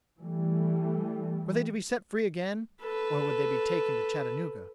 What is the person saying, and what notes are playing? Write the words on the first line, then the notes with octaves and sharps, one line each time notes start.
Were they to be set free again, or would they be taken to Chattanooga?
E3 G3 A3
A4 B4